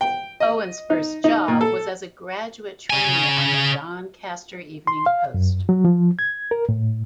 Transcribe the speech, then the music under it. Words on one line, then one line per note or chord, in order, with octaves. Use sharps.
Owen's first job was as a graduate trainee on the "Doncaster Evening Post".
G5
D#5
D#4
D#4
A#2
A4
C#3 G#5
C6
F5
F#2
F#3
F3
G#6
A#4
A2